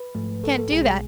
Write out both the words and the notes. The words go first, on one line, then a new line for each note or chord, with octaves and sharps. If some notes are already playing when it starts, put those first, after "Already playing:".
Can't do that.
Already playing: B4
G#2 F3 A3
A4
A4
B1 B2 G#3 G#4